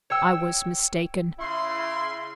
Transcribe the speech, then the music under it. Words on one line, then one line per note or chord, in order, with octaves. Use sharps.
I was mistaken.
C#5 G5 E6
C#3 E4 C6